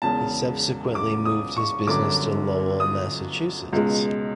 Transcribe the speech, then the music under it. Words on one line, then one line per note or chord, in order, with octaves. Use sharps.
He subsequently moved his business to Lowell, Massachusetts.
E1 E2 C#3 A5
D6
D#6
C#6
G1 F#2 D3 D6
D#6
C#2 B2 G#3